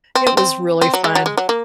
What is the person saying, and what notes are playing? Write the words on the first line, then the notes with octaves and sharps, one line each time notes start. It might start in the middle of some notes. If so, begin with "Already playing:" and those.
It was really fun.
C4
C4
C4
C4
F#3
G#3
F#3
G#3
F#3
A#3